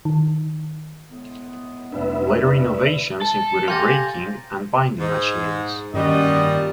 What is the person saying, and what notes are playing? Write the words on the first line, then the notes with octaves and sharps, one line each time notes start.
Later innovations included raking and binding machines.
D#3
A2 G#3 B3
F1 G2 E4 B4 D5 E5
A4
G4 F5 G#5 A#5 C6 G6 A6
G#2
G2 A#2 D#3 G3 C#4 F#4 D#5